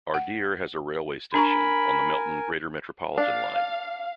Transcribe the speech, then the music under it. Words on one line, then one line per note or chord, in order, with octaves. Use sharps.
Ardeer has a railway station on the Melton greater-metropolitan line.
F#5
D4 A#4 G#5 A#5 B5 C#6
D4 F5